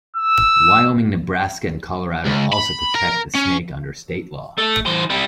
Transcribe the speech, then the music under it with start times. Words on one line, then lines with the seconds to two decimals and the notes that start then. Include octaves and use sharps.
Wyoming, Nebraska, and Colorado also protect the snake under state law.
0.17 E6
2.26 C#2
2.53 B5
2.95 A#4
3.35 C#4
4.58 A3
4.86 E3 C5
5.10 G3 E4